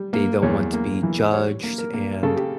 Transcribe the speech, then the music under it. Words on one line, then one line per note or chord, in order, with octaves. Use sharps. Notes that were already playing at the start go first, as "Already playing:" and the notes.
they don't want to be judged, and
Already playing: G3
A#3
E2 C#5
A#3
E3
G3 C#5
A#3
A#4
A#3
C#3 A4
G4